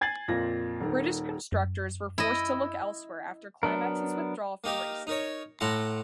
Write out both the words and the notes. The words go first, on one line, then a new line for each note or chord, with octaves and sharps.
British constructors were forced to look elsewhere after Climax's withdrawal from racing.
G#5 G#6 A6 C7 F#7
F2 A#2 F4 A#6
D#1 D#3
F#2
E4 D#5
F#3 B3 D4 A#4
A#3 D#4 G4 A#4
D#4 A#4 C#5
A2 A3 E4 F#5 A#5 C6